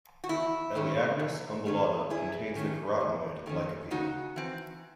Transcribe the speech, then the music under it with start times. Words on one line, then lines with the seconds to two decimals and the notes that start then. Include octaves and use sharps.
"Elaeagnus umbellata" contains the carotenoid, lycopene.
0.24 F#4
0.29 E2 E4
0.75 D#3 A3 C#4
1.20 E2
1.66 D#3 A3 C#4
2.10 E2 E4 G#4
2.56 D#3 A3 C#4
3.00 E2
3.46 D#3 A3 C#4
3.91 C#3 D#4 F#4
4.36 E3 C4